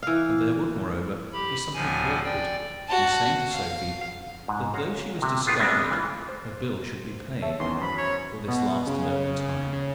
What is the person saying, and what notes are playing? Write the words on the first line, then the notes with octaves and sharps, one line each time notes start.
And there would, moreover, be something awkward in saying to Sophie that, though she was discarded, her bill should be paid--for this last and only time.
E3 F5
G4 B5
D2 A2 F3 G#5
D5 G5
F#4 A5
F5
G#2
G#4 C#5 D#5 F5 F#5 A#5
C3
D#3 A3 B3 F4 G#4
G3 G#3 B3 C4 D4
E3 F4
C5
C#5 E5 A5
E2 D#3 C#4 C6
F#2 C5 B5
C#5
B2
C#3
C#3
C#3